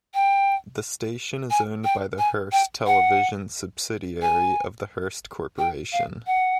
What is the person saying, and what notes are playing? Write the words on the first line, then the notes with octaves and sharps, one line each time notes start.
The station is owned by the Hearst Television subsidiary of the Hearst Corporation.
G5
G#5
G5
G#5
G5
F#5
G#5
G5
F5
F#5